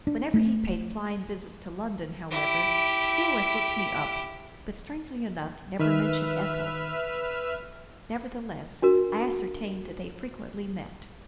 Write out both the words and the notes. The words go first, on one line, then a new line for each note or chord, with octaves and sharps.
Whenever he paid flying visits to London, however, he always looked me up, but, strangely enough, never mentioned Ethel. Nevertheless, I ascertained that they frequently met.
D4
A3
E4 G4
D#3 B4 E5 F6
D4 F#4 A#4